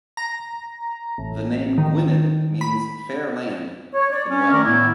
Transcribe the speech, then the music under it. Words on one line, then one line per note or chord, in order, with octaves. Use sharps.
The name Gwynedd means "Fair Land" in Welsh.
A#5
A1
D#3
B5
C#5
C#5 D5
C#4
D#3 A3 A#4 D5 C#6
A2 B3 E4